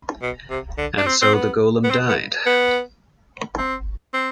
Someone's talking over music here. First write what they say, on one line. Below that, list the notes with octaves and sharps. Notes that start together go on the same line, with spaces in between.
And so the golem died.
B2
C3
D3
D4
C4
C4
B3
B3
C4
B3
B3
C4
C4